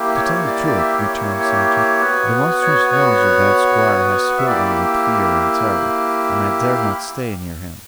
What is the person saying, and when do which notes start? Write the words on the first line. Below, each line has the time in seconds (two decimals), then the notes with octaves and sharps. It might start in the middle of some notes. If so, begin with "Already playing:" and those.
"To tell the truth," returned Sancho, "the monstrous nose of that squire has filled me with fear and terror, and I dare not stay near him."
Already playing: A#3 E4 G4
0.16 C#5
0.47 D5
0.67 D5
0.77 E5
0.98 C#5
1.19 C#5
1.40 C#5
2.00 B3 F#4
2.62 C#5
2.93 C#5
4.30 F#5
4.38 E5
4.47 A#3 E4 G4 D5